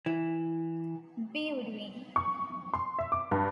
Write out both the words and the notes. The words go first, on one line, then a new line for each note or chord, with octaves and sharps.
B would win.
E3
C#6
C6
E5
D6
G2